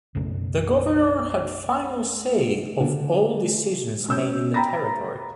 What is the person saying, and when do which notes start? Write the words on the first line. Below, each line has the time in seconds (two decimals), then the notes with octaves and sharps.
The governor had final say of all decisions made in the territory.
0.15 B1 F#2 C#3 A3
2.80 D3
4.08 C#4 E6 G6
4.54 G5 A#5 B5 A6 A#6